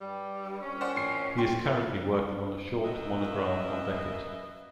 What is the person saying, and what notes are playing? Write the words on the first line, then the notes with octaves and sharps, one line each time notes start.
He is currently working on a short monograph on Beckett.
G2 G3
A#2 C4 C#4
C5 D5 F#5
A1 C7
G5 C6
A#3 B3 E5
F#2 A#3 B4 D#5 E5